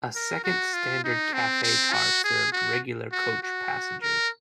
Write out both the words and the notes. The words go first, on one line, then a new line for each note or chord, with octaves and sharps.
A second standard cafe car served regular coach passengers.
A#4
F#4
F4
D#4
C4
C4
F#4
G#4
F#4
F#4
F#4
A#4